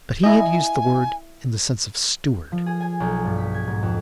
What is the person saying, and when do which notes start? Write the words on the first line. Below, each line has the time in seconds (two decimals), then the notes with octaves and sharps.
But he had used the word in the sense of Steward.
0.24 E4 D#5 G#5
2.52 F3
2.66 G#4
2.81 G#5
3.00 B1
3.25 G2
3.38 B6
3.54 G#6
3.67 G#2
3.83 F2